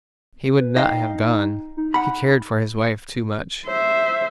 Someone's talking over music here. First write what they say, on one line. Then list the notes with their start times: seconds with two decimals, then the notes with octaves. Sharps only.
He would not have gone; he cared for his wife too much.
0.60 B4
0.77 D#4 D#5 F5 G5
1.77 D#4
1.94 F#5 B5
3.66 C5 E5